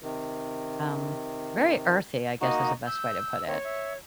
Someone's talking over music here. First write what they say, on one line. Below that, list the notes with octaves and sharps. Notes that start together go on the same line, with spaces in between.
um, very earthy, I guess, is the best way to put it.
C3 D#3
A#3 D#4 F#4 D#5
E6 G6
D#3 A#3 C4 C#5
E5